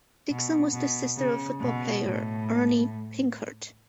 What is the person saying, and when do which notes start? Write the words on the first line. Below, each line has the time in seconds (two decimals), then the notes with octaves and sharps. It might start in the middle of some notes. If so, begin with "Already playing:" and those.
Dixon was the sister of football player Erny Pinckert.
0.30 B2
0.73 B2
1.16 C#3
1.60 B2
2.04 A2